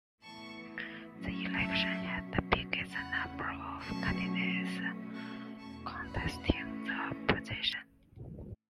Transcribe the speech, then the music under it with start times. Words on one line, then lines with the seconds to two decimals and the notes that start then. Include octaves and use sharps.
The election had the biggest number of candidates contesting the position.
0.21 A2 E3 B3 A5 C#6
1.12 A2 F#3 C#4
1.55 E5 A5
2.00 B2 F#3 C#4
2.89 E2 C#3 A3 C#4 F#5 B5
3.80 B2 F#3 A3 C#4 A5 C#6
4.69 B2 A3 C#4
5.13 A5 C#6
5.58 E2 B2 A3 C#4 A5 C#6
6.02 F#5 B5
6.47 A2 E3 A3 C#4